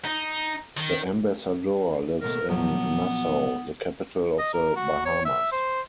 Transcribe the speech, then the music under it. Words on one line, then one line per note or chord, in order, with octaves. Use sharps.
The ambassador lives in Nassau, the capital of the Bahamas.
D#4
D#3
D#2 B2 A3 A#4
A#2 F3 F#3 B3
D#5
A#4
F#4
C#5
E5
C5